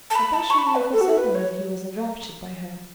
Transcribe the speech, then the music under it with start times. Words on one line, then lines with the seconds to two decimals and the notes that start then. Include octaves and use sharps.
Natasha knew for certain that he was enraptured by her.
0.10 A5
0.15 B5
0.33 A5
0.50 C#6
0.58 B5
0.67 A5
0.75 B4
0.93 A4
1.01 F#4
1.09 A4
1.18 B4
1.35 C#5